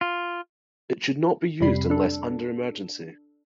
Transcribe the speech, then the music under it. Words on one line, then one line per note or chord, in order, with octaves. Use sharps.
It should not be used unless under emergency.
F4
F2 C3 G3 B5 C7
D4 A4